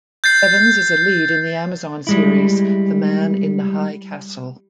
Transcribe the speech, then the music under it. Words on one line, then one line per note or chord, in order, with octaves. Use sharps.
Evans is a lead in the Amazon series "The Man in the High Castle".
G6 A6 C7
G3 G#3 E4